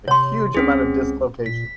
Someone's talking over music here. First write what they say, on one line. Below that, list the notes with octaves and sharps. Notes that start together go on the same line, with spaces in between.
a huge amount of dislocation.
C3 C#5 C6
C#2 C4 C#4 G#4
A#2 B6